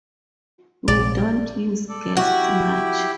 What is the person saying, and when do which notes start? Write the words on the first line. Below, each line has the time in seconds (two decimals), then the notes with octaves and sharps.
We don't use guests much.
0.88 A#1 C3 D5
1.89 A4 D5
2.17 E4 F#4 G4